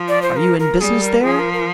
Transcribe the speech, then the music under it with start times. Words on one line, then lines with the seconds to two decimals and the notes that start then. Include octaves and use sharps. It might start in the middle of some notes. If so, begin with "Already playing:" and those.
"Are you in business there?"
Already playing: F3
0.08 D5
0.22 C5
0.37 A#4
0.59 A#4
0.80 G3 G#4
1.02 A#4
1.23 F3 G#4
1.39 A#4
1.53 A#4